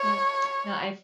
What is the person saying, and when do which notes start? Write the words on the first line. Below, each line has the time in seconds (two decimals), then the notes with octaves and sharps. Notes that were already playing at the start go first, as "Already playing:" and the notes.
Yep. No, I've
Already playing: C#5